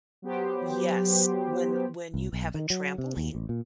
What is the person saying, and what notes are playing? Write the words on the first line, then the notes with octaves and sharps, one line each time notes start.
yes, when when you have a trampoline
F#3 B3 G4 C5
C2
B1
D#3
F#3
C3
D#2
A1
A#2